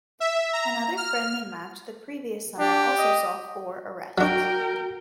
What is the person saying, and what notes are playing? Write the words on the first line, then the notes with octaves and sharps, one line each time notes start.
Another friendly match the previous summer also saw four arrests.
E5
A#5
F6
D4 G4
D#5
F#3 D4 F#4 A#4 G5